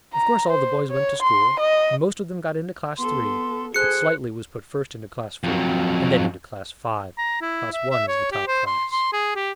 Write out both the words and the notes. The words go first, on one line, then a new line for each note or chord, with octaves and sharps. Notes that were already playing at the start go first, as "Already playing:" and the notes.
Of course all the boys went to school; and most of them got into Class III, but Slightly was put first into Class IV and then into Class V. Class I is the top class.
A#5
C5
C#5
C6
D#5
B3 A4 C6
G#4 A4 C5 F#6 C#7
F2 F#3
A#5
E4
E5
E5
C#5
G4
C5
C6
C6
G#4
G4